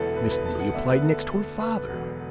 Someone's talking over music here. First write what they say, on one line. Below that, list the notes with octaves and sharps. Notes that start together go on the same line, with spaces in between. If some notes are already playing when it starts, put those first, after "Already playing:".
Miss Neelie applied next to her father.
Already playing: E1 E2 D3 A3 E4 A4 B4
B4
B4
A5
F#5
D2 D3 B3 D4 E5
B4
A4
A4
B4
E1 E2 D3 F#3